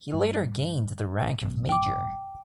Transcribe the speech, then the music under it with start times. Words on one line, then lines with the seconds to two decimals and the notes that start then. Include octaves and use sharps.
He later gained the rank of Major.
0.13 G2
1.41 G#1 F#2 B2
1.69 G5 D6